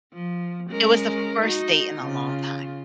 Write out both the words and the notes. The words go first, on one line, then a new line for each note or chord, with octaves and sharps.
it was the first date in a long time.
F3
G#3 C#4 A#4
D#4 F#4
C#3 F4